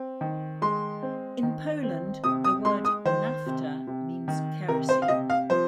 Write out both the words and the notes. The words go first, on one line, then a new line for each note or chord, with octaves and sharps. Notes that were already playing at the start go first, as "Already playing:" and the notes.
In Poland, the word "nafta" means kerosene.
Already playing: C4
D#3
G#3 C6
C4
D#3
C4
C3 D#6
D#6
G#3 C6
D#6
D#3 C5
C3
C3
D#3
C3 A#4
C5
F5
C3 D#5
F5
F3 C5